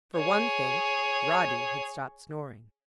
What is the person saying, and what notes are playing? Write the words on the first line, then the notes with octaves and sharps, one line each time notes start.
For one thing, Roddy had stopped snoring.
G#4 C#5